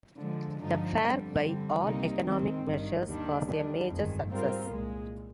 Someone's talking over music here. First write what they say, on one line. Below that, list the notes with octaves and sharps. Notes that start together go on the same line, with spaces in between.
The fair, by all economic measures, was a major success.
D3 F3 G#3
G2 D3 F3 G#3 D#4
G1 F2 D3 G3
D3 G3 C4
C2 C3 G3 A#3 D#4
D#3 G#3 C4
G#1 G2 D#3
D#2 D#3 G3 D4
D#3 G3 D4
G1 F2 D#3 G#3
G#2 G3 C4 F4 A#4
C2 A#2 G#3